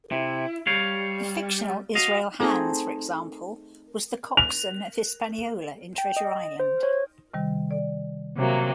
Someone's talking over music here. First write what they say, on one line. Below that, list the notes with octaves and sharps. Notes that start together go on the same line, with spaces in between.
The fictional Israel Hands, for example, was the coxswain of "Hispaniola" in "Treasure Island".
C3 E4
G3 C#5 F5
F#4 D#5 F5
A3 C4 D#4 G#4
F7
G5
D#5
C5
C#5
C3 D#3 G3
D5
C3 F#3 A#3